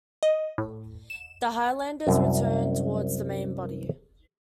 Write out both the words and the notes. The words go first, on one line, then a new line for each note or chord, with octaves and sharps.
The Highlanders returned towards the main body.
D#5
A2
E7
C2 F#2